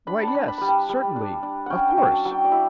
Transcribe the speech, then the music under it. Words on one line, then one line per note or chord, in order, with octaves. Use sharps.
Why yes, certainly, of course!
D4 B5
A5 B5
D4
B5
G3 B5
A5
G3
D4
D4
C#4 F#5 G5
G5
F#3
A5
F#3
G5
D5
E4 E5